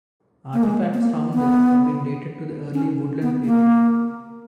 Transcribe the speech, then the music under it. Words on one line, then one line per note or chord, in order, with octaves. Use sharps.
Artifacts found there have been dated to the early Woodland period.
A#3
G#3
B3
A#3
B3
C#4
B3
A#3